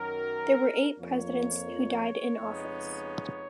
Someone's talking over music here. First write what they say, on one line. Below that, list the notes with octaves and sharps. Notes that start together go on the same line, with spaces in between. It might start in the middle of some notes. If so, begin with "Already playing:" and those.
There were eight presidents who died in office.
Already playing: F#2 D#3 F#3 A#4
F2 F3 A#3 C#5
F2 C#3 G#3 B3 D#4